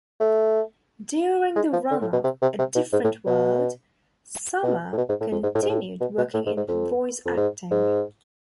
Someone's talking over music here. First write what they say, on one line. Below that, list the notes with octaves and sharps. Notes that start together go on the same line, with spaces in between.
During the run of "A Different World", Summer continued working in voice acting.
A3
G#3
F3
D3
A2
B2
C3
C3
C3
B2
G#2
A2
B2
B2
A2
B2
G#2
A2
F2
G#2
A2
G#2
A2
B2
B2
A2
G#2
G#2
F2
F2
G#2
G#2